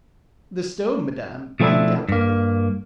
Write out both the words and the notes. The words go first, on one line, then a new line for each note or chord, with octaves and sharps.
"The stone, madam, undoubtedly."
B2 F3 A3 C4 D4 E4
G2 A#3